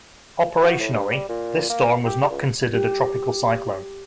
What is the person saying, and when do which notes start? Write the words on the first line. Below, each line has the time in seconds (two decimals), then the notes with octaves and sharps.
Operationally, this storm was not considered a tropical cyclone.
0.62 F#4
0.80 A2
0.93 G2
1.10 G3
1.29 A#2
1.70 A#3
2.05 G4
2.30 C#2
2.74 G4